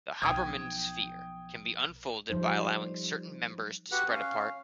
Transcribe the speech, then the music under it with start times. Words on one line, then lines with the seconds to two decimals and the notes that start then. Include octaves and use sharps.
The Hoberman sphere can be unfolded by allowing certain members to spread apart.
0.22 B1 F3 G5 D#6 G#6
2.30 F3 G3 D#4 C5
3.92 F#4 G4 B4 F#5
4.09 C#4 F5